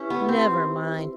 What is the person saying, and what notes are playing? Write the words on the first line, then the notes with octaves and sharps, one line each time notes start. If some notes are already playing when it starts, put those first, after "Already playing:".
'Never mind.
Already playing: C#4 E4 G4 B4 E5
B3
C4